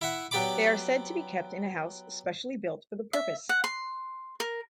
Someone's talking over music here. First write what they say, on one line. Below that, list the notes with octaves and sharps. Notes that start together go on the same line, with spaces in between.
They are said to be kept in a house specially built for the purpose.
E4 E5 F#5
F#3 B3 G4 D5 B5 D6
E5
F#5
C6
A#4